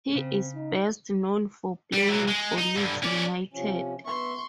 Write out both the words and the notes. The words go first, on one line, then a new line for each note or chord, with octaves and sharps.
He is best known for playing for Leeds United.
C#3 C4
D#4
G3
E3 F#3
G#3
D#4
G2 D3
C#4 D5
C3 F3 C#4
B3 E5 C6 C#6